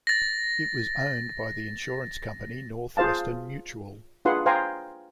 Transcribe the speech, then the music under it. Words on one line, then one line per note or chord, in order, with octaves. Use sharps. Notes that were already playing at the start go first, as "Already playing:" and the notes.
It was owned by the insurance company Northwestern Mutual.
A6 A#6
F4 G#4 C5 F5 A5
D4 F4 G#4 B4 F#5 C6
C5 F5 G5 G#5 A#5 C6